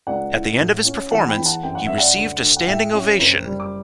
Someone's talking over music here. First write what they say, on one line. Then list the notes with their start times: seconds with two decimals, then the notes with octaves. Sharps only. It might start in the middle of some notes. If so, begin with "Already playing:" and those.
At the end of his performance he received a standing ovation.
0.07 C#2 D5 F#5
0.34 E4
0.59 A2
0.85 C#4
1.11 E2 F#5 A5
1.28 G5 B5
1.37 E2
1.46 F#5 A5
1.63 F#2 G5
1.75 F#5
1.87 F#2 E5
1.98 D5 F#5
2.15 D2
2.41 D2
2.57 F#5
2.67 A2 E5 G5
2.93 C#4
3.19 F#1
3.46 G3
3.60 D6